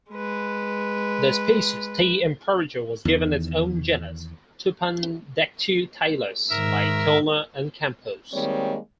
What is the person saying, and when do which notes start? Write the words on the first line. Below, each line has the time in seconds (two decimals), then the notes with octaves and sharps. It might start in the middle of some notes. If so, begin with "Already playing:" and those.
The species "T. imperator" was given its own genus, "Tupandactylus", by Kellner and Campos.
0.11 G#3 B4
3.05 E2 D#3
6.50 G#2 D#3 A#4 E5
8.32 D#3 G3 G#3 A#3 C4 C#5